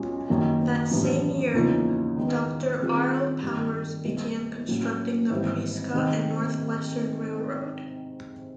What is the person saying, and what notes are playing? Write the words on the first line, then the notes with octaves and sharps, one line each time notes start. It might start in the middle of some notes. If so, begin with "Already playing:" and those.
That same year, Doctor R. L. Powers began constructing the Prescott and Northwestern Railroad.
Already playing: B1 G#3 C#4 F4
F#2 D#3 F#3 A#3
A1 A2 F#3 B3 D4
E2 C#3 F3 A#3 D#4
D#3 G#3 B3
D#3 G3 C4 F4 G#4
G2 D#3 G3
C2 B2 G#3
A2 F#3 A#3 C#4 F#4
G#1 G#2 E3 G3
C3 D#3 G#3 C4